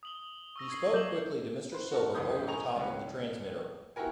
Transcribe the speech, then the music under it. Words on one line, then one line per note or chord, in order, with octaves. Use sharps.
He spoke quickly to Mr. Silver over the top of the transmitter.
D#6 F#7 G7
C#6 E6 A#6
C#6 G#6 C7
F#3 D6 G6 F#7
B4 C5
F#4 A4 A#4
F#1 C#2 E3 G#3 D#6 G6
A2 D#5 G#5 A#5 C#6 F7
C#2 C#4 B4
B3 E4 F#4 G4 A#4 G#5